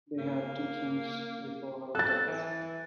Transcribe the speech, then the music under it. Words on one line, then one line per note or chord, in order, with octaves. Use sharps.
They had two sons before her death.
A#3
A4 F#6 A6
E3